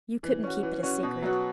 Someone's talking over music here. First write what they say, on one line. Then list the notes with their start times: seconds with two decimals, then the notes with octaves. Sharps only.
You couldn't keep it a secret.
0.23 E3
0.44 C#4 F#4
0.63 E3
0.83 C#4 F#4
1.03 B2
1.22 F#3 B3 F#4